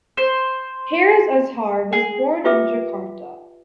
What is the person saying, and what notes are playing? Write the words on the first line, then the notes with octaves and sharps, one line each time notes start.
Haris Azhar was born in Jakarta.
C5
G#4
F4 G4 B4 E5 G5 D6